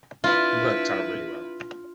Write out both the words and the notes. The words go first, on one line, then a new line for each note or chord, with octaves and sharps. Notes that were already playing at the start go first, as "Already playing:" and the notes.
It worked out really well.
D4 E4 F4 B4